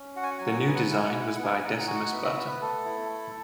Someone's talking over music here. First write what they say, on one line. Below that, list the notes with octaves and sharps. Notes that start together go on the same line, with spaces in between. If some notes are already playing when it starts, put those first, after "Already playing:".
The new design was by Decimus Burton.
Already playing: C#4
F#4 F#5
G#5
F#5
F#3 G#5
F#5
G#5
F#5
B3 G#5
F#5
G#5
E4 F#5
G#5
F#5
E4 G#5
F#5
G#5
F#5
B3 G#5
F#5
G#5
D#4 F#5
G#5
F#5
F#4 G#5
F#5
B3 E5
E5
B3 E5
B4
A3 A4
E4
A3